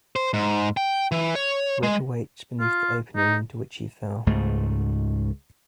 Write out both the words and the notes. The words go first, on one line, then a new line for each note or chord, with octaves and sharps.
Rick awakes beneath the opening into which he fell.
C5
G#2
G5
E3
C#5
G#3
F4
D#4
C#2 G#2 A3